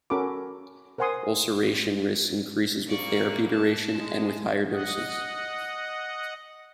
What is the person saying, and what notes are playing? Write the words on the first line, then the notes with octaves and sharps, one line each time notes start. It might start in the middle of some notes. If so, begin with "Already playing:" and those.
Ulceration risk increases with therapy duration, and with higher doses.
C#4 F#4 A4 A#4 B5 D6
A#4 C5 F#5 G#5 C6 D#6
C2 A#3 D5 C#6
A5
G#3
D#5 F#5